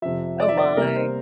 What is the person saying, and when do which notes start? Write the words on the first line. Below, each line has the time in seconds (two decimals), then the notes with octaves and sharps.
oh my,
0.02 F2 C3 F3 E5
0.40 D5
0.48 E5
0.57 D5
0.77 C3 G3 A#3 A#4
0.96 C5